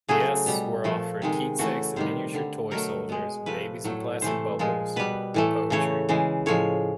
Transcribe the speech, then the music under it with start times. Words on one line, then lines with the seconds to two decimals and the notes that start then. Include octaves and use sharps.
Guests were offered keepsakes of miniature toy soldiers, babies in plastic bubbles or poetry.
0.08 C#3 F#3 A3 G#4
0.46 B2 G3
0.84 A#2 F3 A3
1.22 C3 D#3 G#3
1.59 C#3 E3 A3 F#4
1.96 C3 D#3 G3 C5
2.34 D3 G3
2.71 B2 F#3 A3 A#4
3.09 B2 G#3
3.46 C3 F3 A3 B4
3.84 A2 F#3 A3
4.21 C3 E3 A3 C5
4.59 A#2 F3 G#3
4.96 B2 G3 B4
5.34 A2 E3 A3
5.70 C#3 E3 A3 C#5
6.09 C#3 E3 G#3
6.46 A2 F3 G#3 C#5